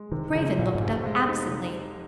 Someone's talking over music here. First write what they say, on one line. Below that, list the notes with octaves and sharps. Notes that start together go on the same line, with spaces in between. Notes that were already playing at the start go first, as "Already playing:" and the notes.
Craven looked up absently.
Already playing: G#3
C3 D#3
F2 C#3
F1 A#2
G#2
F1
C3
G#3
D#4